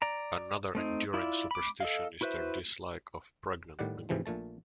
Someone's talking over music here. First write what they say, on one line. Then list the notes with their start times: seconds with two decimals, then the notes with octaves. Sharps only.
Another enduring superstition is their dislike of pregnant women.
0.02 D5 A#5
0.75 A3 C4 D#4
1.14 E4 F4 D5
1.51 B5 D6
1.80 A4 D#5 F5
2.21 E4 F#4 B4 C5 E5
3.79 A2 D#3 G3 D5 F#5
4.09 G#2 C3 E3 F3 A3
4.26 A#1 A#2 A3 A5